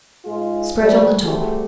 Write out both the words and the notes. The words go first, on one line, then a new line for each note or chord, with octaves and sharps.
Spread on the top.
G#2 G#3 F4 G#4
A#2 F3 G3
G3 A3 C4 F#4 G#4